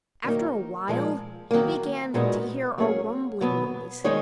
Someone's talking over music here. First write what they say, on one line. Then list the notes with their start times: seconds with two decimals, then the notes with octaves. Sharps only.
After a while he began to hear a rumbling noise.
0.24 D#3 F#3 A#3 D#4
0.88 A#2 F3 G#3
1.51 D#3 F#3 A#3
2.14 A#2 G#3 B3 D#4 F#4
2.78 F#3 A#3 C#4 G#4 C#5
3.41 B2 F#3 B3
4.04 D#3 G#3 D#4 G#4 C#5